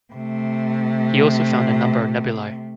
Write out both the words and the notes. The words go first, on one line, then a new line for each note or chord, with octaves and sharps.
He also found a number of nebulae.
C3 A3